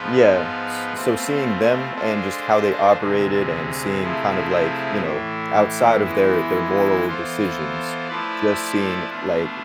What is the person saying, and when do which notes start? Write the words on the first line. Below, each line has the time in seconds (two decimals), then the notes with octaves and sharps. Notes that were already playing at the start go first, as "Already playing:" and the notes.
yeah s so, seeing them and just how they operated and seeing kind of, like, you know, outside of their their moral decisions, just seeing like
Already playing: G#2 F3 B3 F4 B4
0.93 B2 A3 C4 F4
1.95 G#3 D4 F4 A4 C5
2.97 D2 C3 G#3
3.99 C3 F3 A3 E4 G#4
5.01 A2 E3 A3
6.03 E3 G#3 B3 E4
7.06 E3 B3 F4 A4 C5
8.08 F3 A3 E4 B4 D5
9.10 B2 A3 D4 F4